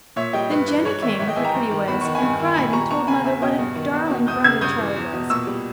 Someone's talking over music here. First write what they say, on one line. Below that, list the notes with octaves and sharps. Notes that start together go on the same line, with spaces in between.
Then Jenny came with her pretty ways, and cried, and told mother what a darling brother Charley was.
A#2 C#5 E5
G3 D#5 G5
G2 B4
E3 B4
G#2 C#5
D#3 C#5 E5
G#2 C#5 E5
D#5 G5
E3 E5 G#5
G5 A#5
G2
D#3
E2 B5
D#3 C#6
G#5 B5
G2
D#3
A#2 G#5 B5
G3 A#5 C#6
E2 A#5 C#6
C#3 G#5 B5
E2 E5 G#5
B2 D#5 G5
G2
D#3
E2
B2
E2 D#6 G6
C#3 E6 G#6
G2 D#6 G6
E3
E2
B2
A#2 C#6 E6
G3